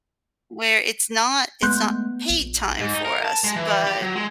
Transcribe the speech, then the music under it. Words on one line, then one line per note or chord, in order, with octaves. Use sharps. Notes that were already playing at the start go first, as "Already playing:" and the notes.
Where it's not it's not paid time for us, but,
G#3 A3 B3 C6 F#6 G6
A#1
G#2
D#4
A#4
A5
G#3
E3
G4
F#3
G#3